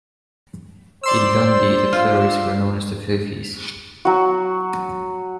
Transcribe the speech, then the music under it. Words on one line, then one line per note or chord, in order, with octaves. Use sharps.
In Dundee, the ferries were known as "the Fifies".
C5 D5 C6 E6
F4
F#3 F#4